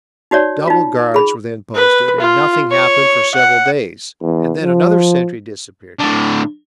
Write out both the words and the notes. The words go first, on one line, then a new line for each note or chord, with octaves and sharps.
Double guards were then posted, and nothing happened for several days--and then another sentry disappeared.
D#4 F#4 C#5 D5
D#4 F4
G#4 B5
B4
F4
C#5
F#5
E2
F3
A2 D3